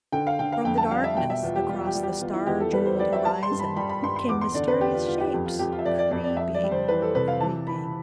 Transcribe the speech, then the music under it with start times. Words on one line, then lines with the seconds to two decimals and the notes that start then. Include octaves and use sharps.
From the darkness, across the star-jewelled horizon, came mysterious shapes, creeping, creeping.
0.12 D3 G5
0.27 F5
0.39 D3 G5
0.52 F5
0.65 F2 G5
0.78 A5
0.91 G3 F5
1.04 E5
1.17 B2 G5
1.30 E5
1.43 E2 F4
1.56 G4
1.69 G3 F4
1.87 G4
1.95 G3
2.03 G4
2.21 E2 F4
2.33 E4
2.46 E2 G4
2.60 A4
2.72 G3 B4
2.85 C5
2.99 G3 D5
3.13 E5
3.25 G3 A5
3.43 C6
3.51 G2
3.59 B5
3.76 G3 B5
3.89 B5
4.02 G2 C6
4.16 C6
4.29 E2 D6
4.41 C6
4.54 D3 D5
4.68 B4
4.81 E2 G4
4.93 F4
5.07 E2 F4
5.20 G4
5.32 F2 G4
5.46 F4
5.59 F2 G4
5.72 F4
5.79 E5
5.85 F2 D5
5.99 D5
6.11 F2 D5
6.24 D5
6.37 F2 E5
6.54 D5
6.63 G3
6.71 C5
6.88 E3 B4
7.02 A4
7.15 C3 B4
7.28 F5
7.40 E3 A5
7.67 E3 B5